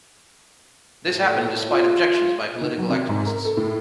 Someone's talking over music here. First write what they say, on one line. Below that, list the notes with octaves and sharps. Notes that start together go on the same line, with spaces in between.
This happened despite objections by political activists.
A2
F4
D#3
F#3
C3
G#2
A#4
A4
A2